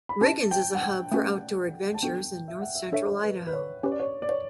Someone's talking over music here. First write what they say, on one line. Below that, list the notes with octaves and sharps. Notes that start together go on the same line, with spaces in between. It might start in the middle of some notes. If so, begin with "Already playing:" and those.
Riggins is a hub for outdoor adventures in North Central Idaho.
B5
C#4 G4 B4 A5
G5
F#5
G5
A3 C#4 F#4 B4
A5
B3 D4 F#4 A4 G5
E5
F#5
E5
D4 A4 C#5 E5
B4
B4
C#5
C#4 G4 B4 C#5
D5
C#5
D5
C#5